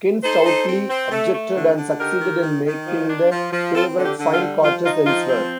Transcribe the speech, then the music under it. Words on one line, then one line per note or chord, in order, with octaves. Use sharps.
Ken stoutly objected and succeeded in making the favourite find quarters elsewhere.
D#4 A4 C5
D#4
C4
C4
A3
A3
D3
D3
D#3 G4 A#4
D#3
D#3
D#3
F3
D4
F3
F3
C4 F4 A4
D3
G4
D3
F4
G3
F3 F4
D#4 F4
F3 F4
C4